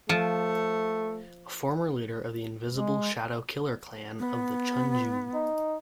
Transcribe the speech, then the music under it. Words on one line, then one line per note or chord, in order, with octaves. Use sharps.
A former leader of the Invisible Shadow Killer Clan of the Chunjoo.
F3 A3
G#3
B3
D#4